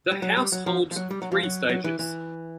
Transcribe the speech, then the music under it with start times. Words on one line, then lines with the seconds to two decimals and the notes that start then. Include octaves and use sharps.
The house holds three stages.
0.11 G3
0.22 F#3
0.37 G3
0.52 F#3
0.66 F3
0.91 F3
0.96 F#3
1.11 G3
1.22 F#3
1.32 F3
1.43 F#3
1.69 F#3
1.84 E3
1.99 E3